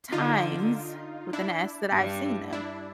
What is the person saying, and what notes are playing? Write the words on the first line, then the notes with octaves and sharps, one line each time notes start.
times with an S, that I've seen them.
D3 D#4 F4
D4 E4
G2 G3
D4 E4